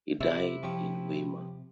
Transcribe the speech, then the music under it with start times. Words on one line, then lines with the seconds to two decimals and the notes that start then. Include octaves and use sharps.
He died in Weimar.
0.20 C3 E4
0.63 F3 G4 C#5